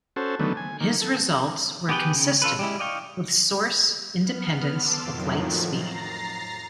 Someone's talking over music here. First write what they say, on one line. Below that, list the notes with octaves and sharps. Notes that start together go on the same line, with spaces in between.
His results were consistent with source independence of light speed.
C#4 F#4 A4 C5
D3 D#3 F#3 A3 B3
G#5
D#3 A#3
A4
B3 G4 G#4 B4 G5
C#3
F4 A4 B4
G3 G#3 E4
D5 D#5 F5 G5 C#6
B3 F6
A5 C6 D6 E6
F2 A2 D#3 F3 F#3
A#5 A6 A#6 C7